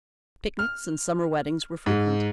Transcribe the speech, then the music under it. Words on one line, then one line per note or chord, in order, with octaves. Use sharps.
Picnics and summer weddings were frequent.
F6
G#2